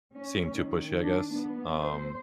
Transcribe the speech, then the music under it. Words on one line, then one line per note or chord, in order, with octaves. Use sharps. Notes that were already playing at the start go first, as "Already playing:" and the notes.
seem too pushy, I guess. Um,
C#4
D#3
D4
B3
C5